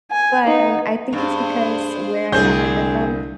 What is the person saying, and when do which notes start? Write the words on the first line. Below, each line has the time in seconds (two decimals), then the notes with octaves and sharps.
but I think it's because where I adopted her from,
0.11 G#5
0.45 B3 D#4
1.13 G2 D4 G#4 C5
2.32 C2 D3 A3 C4 D4 G#4 G6